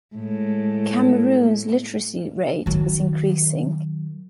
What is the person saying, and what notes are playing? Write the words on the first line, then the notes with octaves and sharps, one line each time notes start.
Cameroon's literacy rate is increasing.
A2 G#3
D#3 F#3